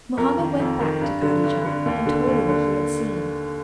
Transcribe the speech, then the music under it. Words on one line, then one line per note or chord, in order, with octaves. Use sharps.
Mohammed went back to Kadijah and told her what he had seen.
F2 A#4
D#3
F2
D#3
G2
D3
G2
D3
D#2
D3
D#2
D3